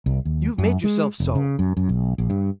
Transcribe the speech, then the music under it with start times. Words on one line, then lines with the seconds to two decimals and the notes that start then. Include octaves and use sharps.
You've made yourself so.
0.06 C2
0.25 D#2
0.58 F#2
0.84 G#3
1.20 F1
1.35 C#3
1.59 F#2
1.77 F#2
1.89 B1
2.18 A#1
2.30 G2